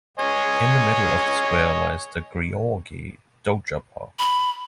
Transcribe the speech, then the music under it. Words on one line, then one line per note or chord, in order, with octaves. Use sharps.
In the middle of the square lies the Gheorghe Doja Park.
C#5 D#5 G#5
B5